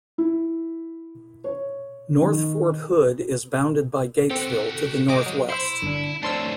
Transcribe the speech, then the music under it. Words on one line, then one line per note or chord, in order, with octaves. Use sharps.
North Fort Hood is bounded by Gatesville to the northwest.
E4
C#5
D#3
C4 F#4 G4 A4
G#3 C4 D#5 D6
F#3
E4 C5
G1 D3 D4
F2 A2 D4 C5 C#5 A5 C6 E6